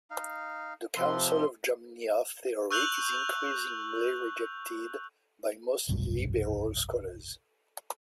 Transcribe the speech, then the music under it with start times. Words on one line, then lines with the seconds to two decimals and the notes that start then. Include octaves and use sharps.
The Council of Jamnia theory is increasingly rejected by most liberal scholars.
0.11 D#4 F5
0.97 C3 F3 A4 B4 C6
2.71 C#6 E6 F#6 G6 F7 F#7
5.89 F1 B1 G2